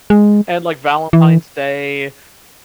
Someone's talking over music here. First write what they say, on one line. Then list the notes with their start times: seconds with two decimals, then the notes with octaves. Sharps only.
and, like, Valentine's Day
0.10 G#3
1.13 E3